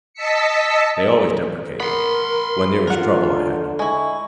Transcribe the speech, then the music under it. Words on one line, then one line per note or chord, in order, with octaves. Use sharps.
They always deprecated, when there was trouble ahead.
D#5 A5 E6 B6 C#7
B3 A#4 B5 C6
D3 F4 A#4 F#5
G#3 E4 C#6